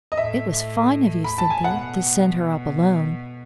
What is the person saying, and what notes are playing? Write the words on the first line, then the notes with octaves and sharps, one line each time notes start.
It was fine of you, Cynthia, to send her up alone!
D#5
A2 E5
B5
A5
G#5
B2 F#5